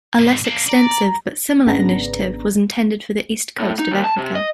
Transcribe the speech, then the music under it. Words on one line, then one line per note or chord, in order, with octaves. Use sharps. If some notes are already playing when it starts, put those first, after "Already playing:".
A less extensive but similar initiative was intended for the east coast of Africa.
G#2 C3
A#3 D4
D5 A#5
G#1 C#3 B3 D4 A#5 A#6
A2
D#4
D#2
A5
C3
D#5